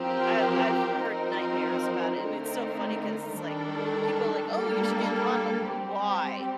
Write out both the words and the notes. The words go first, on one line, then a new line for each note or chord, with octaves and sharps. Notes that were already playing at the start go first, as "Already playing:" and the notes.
I've I've heard nightmares about it, and it's so funny 'cause it's like, people are like, "Oh, you should get into modeling." Why?
Already playing: F3 C4 G4 A#4
F3 C4 D#4 A#4
D3 A3 C4 D#4 A#4
D#3 G3 D4 A4
G3 A#3 D4 A4
G3 C4 G4